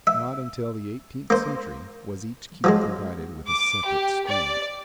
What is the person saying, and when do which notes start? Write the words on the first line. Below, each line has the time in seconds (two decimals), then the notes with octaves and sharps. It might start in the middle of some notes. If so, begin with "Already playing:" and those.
Not until the eighteenth century was each key provided with a separate string.
0.07 E5
1.30 A#3 C5
2.64 F3 F#3 G#3
3.47 D6
3.85 G4
4.27 D5